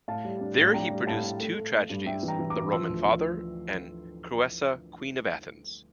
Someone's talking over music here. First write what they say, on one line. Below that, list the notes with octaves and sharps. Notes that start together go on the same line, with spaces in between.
There he produced two tragedies: "The Roman Father" and "Creusa, Queen of Athens".
A2 F5 A5
G3
D4
A2
D4 G5 A#5
G3
A2 F5 A5
A2
A3
A3
A3
G2
G2 E5 G5
E3
G5 A#5
E3
A#5 D6
E3
F3 C6 E6
D2
F3